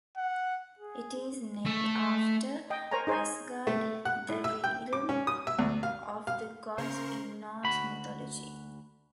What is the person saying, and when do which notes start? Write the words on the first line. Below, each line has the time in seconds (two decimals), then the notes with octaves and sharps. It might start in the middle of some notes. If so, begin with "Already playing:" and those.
It is named after Asgard, the realm of the gods in Norse mythology.
0.17 F#5
0.79 G#4
1.66 A3 E5
2.70 D#5 G5
2.91 A#4 C5 C#5 G#5 A#5
3.07 D#4 G#4 C5 C#5 G#5
3.67 A3
4.05 F#5
4.29 A2
4.44 E5
4.64 G5
4.93 D6
5.09 C#4
5.27 D#6
5.47 E5
5.59 D2
5.83 F5
6.27 F5
6.78 C#3 C#4 A#4 C5 A#5 C6 C#6
7.64 D2 F#4 B5